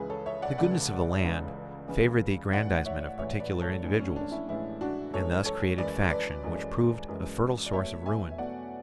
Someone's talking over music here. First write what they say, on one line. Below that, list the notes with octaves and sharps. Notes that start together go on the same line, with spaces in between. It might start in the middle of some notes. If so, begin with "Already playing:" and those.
The goodness of the land favoured the aggrandizement of particular individuals, and thus created faction which proved a fertile source of ruin.
Already playing: C#2 C#3 E3 G#3 G#4 B4
A4 C#5
C#5 E5
D5 F#5
C#2 C#3 E3 G#3 D5 F#5
C#2 C#3 E3 G#3
C#2 C#3 E3 G#3
A1 A2 E3 G#3 D5 F#5
F#5
C#5 E5
A1 A2 E3 G#3 C#5 E5
B4 D5
A4 C#5
A1 A2 E3 G#3 D4
C#4
D4
C#4 E4
A1 A2 E3 G#3 C#4 E4
D4 F#4
F#2 E3 G#3 A4 C#5
A4 C#5
F#2 E3 G#3 B4 D5
B4 D5
F#2 E3 G#3
F#2 E3 G#3
D5
E2 B2 F#3 A3 C#5 E5
E5 G#5
E5
E2 B2 F#3 A3 D5 F#5